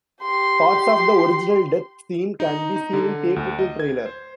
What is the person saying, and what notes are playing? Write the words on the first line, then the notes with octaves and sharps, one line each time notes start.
Parts of the original death scene can be seen in theatrical trailer.
G4 C6
D#4
D#4
D3
D2
D#5
G#6
C5